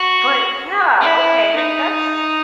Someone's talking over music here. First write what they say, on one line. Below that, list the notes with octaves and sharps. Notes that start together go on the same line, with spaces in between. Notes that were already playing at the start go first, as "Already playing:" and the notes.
But, yeah, okay, that's
Already playing: F#4
E4
D#4